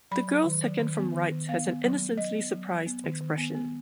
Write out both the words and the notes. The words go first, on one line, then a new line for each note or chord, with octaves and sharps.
The girl second from right has an innocently surprised expression.
F#3 B5
F#3
D#3
F#3
D#3
B3
D#3
D#3
B3 F5
B3
F#3
B3
F#3 D#5
B3
F#3
F#3
B3
D#3
D#3
B3
B3